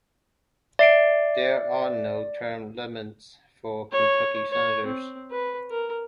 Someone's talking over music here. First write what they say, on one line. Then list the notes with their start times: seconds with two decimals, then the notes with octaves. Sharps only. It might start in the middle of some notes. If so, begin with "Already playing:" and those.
There are no term limits for Kentucky Senators.
0.79 D5 E5 C7 D7
3.92 C#5
4.50 C#5
4.86 C4
5.31 B4
5.71 A#4